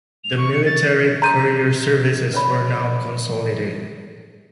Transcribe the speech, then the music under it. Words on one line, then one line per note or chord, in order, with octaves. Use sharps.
The military courier services were now consolidated.
F7
C#6
C#7
A6
A#5 C6 G6 D#7
B4 C#5 D5 B5